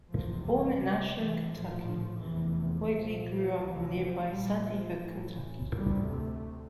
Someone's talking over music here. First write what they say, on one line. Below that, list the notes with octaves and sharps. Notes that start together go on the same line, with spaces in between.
Born in Ashland, Kentucky, Whitley grew up in nearby Sandy Hook, Kentucky.
F1 E2 C3 F3
G3
C2 C3
E3
A#1 A2 F3
F1 E2 C3 E3
C2 A#2 F3
D2 C3 E3
F3
A#1 A#2 G3
F3
A1 A2 E3
D2 C3 G3
A3